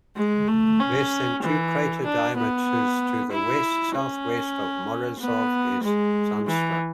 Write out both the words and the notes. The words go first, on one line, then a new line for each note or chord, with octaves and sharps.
Less than two crater diameters to the west-southwest of Morozov is Zanstra.
G#3
A3
C#4
E3
D4
B3
E4
C#4
B3
G#3
E3